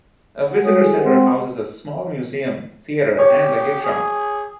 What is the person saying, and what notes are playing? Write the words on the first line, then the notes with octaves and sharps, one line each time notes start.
A visitor center houses a small museum, theater, and a gift shop.
F#5
G3 G#3 F#4 C#5 D#6
E4 G#4 A4 G#5
G4 A4 A#4 C5 F#5
G#3 C4 C5 F#5 G5 C6
G4 C#5
G#4